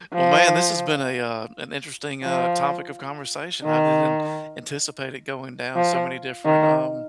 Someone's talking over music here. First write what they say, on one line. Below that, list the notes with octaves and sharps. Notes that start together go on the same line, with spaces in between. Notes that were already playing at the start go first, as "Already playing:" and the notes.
Well, man, this has been a, uh, an interesting, uh, topic of conversation. I didn't anticipate it going down so many different, um,
F3
F3
D#3
F3
D#3